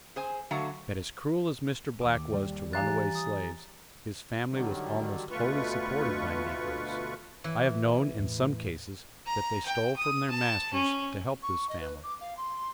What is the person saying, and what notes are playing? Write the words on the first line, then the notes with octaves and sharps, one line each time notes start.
But as cruel as Mr. Black was to runaway slaves, his family was almost wholly supported by negroes; I have known in some cases that they stole from their masters to help this family.
G#4 C5 G#5
D3 F#3 A3 F#4 F5 A#5
D#2 D6
G3
E3 G4 F5 G#5 A#5 F#6 A6
D#6
D3 D#3 F#3 G3
D2 B2 A3 F4 B4 C#6
E3
E2 A2
A#5
G5
D#6
A5
C#4
C#6
D#5
B4
D6
F5
C6